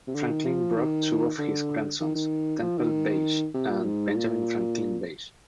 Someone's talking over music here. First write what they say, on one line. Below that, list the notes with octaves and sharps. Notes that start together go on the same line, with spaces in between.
Franklin brought two of his grandsons, Temple Bache and Benjamin Franklin Bache.
C3
D3
D#3
F3
D#3
D3
D#3
D#3
F3
D#3
C3
A#2
G#2
A#2